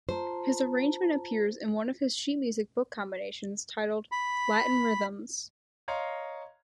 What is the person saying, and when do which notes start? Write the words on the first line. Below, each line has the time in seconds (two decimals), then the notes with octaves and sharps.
His arrangement appears in one of his sheet-music book combinations, titled "Latin Rhythms".
0.09 F4 C5 A5 A#5
4.12 B5
5.88 C#5 D#5 F5 A#5 C6